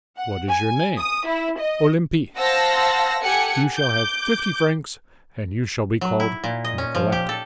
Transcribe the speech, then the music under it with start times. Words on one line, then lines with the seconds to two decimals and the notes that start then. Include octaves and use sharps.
"What is your name?" "Olympie." "You shall have fifty francs, and you shall be called Nicolette."
0.17 F#5
0.49 G#5
0.98 D#6
1.27 E4
1.59 D#5
2.37 C5 F5 F#5 A5 E6 A#6
3.21 G4 A4 F#5 G#5 C#7
3.75 D6 G6
6.01 F#3
6.20 E4
6.44 A#2
6.65 D#5
6.78 C#4
6.95 F3
7.12 G4
7.29 A4